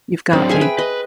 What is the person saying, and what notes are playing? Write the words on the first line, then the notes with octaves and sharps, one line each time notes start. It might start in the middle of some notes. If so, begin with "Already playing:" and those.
You've got me.
F#3 C4 D4
G#4 E5 G#5
B4 G5
B4 D#5